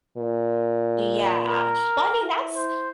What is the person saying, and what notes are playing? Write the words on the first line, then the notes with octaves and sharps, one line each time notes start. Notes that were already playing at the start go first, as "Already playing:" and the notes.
Yeah. Well, I mean, that's
A#2
A#4
E4
C5